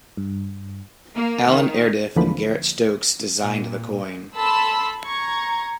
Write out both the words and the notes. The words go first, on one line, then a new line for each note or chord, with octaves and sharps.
Alan Ardiff and Garrett Stokes designed the coin.
G2
A#3
D#3
D2 D3 E3 F3 A#3 B5
A#2
A4 A5 B5 C6 E6
A#5 C#6 G#6